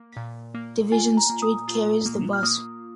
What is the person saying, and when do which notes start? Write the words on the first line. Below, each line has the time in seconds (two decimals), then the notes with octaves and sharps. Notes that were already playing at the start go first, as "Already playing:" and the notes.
Division Street carries the Bus.
Already playing: A#3
0.17 A#2
0.54 A#3
0.92 F4 G#5
1.17 A#5
1.30 A#3
1.42 D#6
1.68 F4
2.06 A#3
2.33 F6
2.43 A#3 D#6